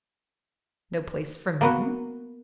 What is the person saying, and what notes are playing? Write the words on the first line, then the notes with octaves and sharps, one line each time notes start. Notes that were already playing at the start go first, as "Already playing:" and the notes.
No place for men?
A#3 B3 F#4